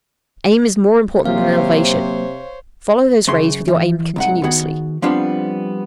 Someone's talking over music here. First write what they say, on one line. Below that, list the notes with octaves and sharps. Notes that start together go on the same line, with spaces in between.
Aim is more important than elevation. Follow those rays with your aim continuously.
C3 F#3 A#3 C5 C#5 F5
F#2 C#3 C6
E3
C2 G#2 F#5
D#3 B3 F#4 G#4
F3 G3 B3 C4 D4 F4